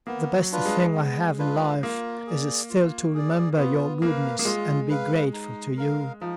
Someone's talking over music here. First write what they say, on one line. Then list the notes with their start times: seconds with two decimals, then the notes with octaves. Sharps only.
The best thing I have in life is still to remember your goodness and be grateful to you.
0.07 A#3 B3
0.36 F#3
0.51 D4 F4 B4
0.65 G#3
0.95 B3
1.38 D4 F4 B4
1.83 A#3 F4
2.26 G#4 D5
2.70 F4
3.14 G#4 D5
3.57 B3 F4
4.02 A#3 B4 F5
4.39 A#3
4.45 G#3 F4
4.90 B4 F5
5.33 D#4
5.77 A#4 F5
6.21 F3 D#4